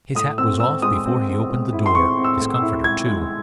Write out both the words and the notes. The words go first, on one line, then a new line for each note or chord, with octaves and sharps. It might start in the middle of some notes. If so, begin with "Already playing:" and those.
His hat was off, before he opened the door; his comforter too.
A2 D#6
C4 E6
C4 E6
G#3 D#6
C4
C4
G#3
E4
C6
C4 C#6
C4
E6
A2
E6
E4
G#3 G#6
G#3